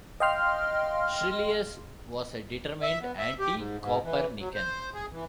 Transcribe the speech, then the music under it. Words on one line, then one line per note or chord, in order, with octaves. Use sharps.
Schyrleus was a determined anticopernican.
D#5 F5 G5 C6 F6
E5
B3
E5
G4
G#2
G#2
E3
F#3
C5
G#4
E3